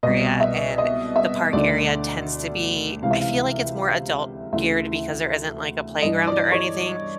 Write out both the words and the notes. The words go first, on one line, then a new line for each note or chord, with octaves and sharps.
area, and the park area tends to be I feel like it's more adult-geared because there isn't, like, a playground or anything,
C2 B2 D#5
E5
D#5
E5
D2 D3 D5
C#2 C3 E3 F5
E5
F5
D2 C#3 E3 E5
G2 E3 D#5
D5
C#5